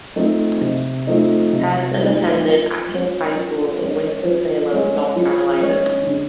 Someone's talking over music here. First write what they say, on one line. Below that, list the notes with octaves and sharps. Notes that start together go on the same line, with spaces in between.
Hairston attended Atkins High School in Winston-Salem, North Carolina.
F3 A3 C4 D#4
C3
F3 A3 C4 D#4
C3
F3 A3 C4 D#4
F3
G#3
C#4
F3
G#3 C#4
F3
G#3 C#4
F3
G#3 C#4
D3